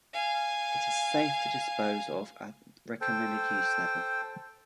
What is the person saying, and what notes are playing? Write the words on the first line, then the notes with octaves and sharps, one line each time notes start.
It is safe to dispose of at recommended use level.
F5 G#5
A4 C5 G5